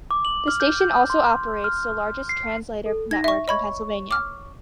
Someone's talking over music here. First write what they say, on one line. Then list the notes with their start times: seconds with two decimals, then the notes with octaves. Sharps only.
The station also operates the largest translator network in Pennsylvania.
0.11 D6
0.25 F#7
0.48 F6
0.60 G6
0.81 G6
1.10 C6
1.64 F6
2.29 C7
2.86 A4
3.11 D#4 G#6 A#6
3.24 E5 C#6
3.48 C#5 D#5 B5 C#6 G#6
4.11 D6 F6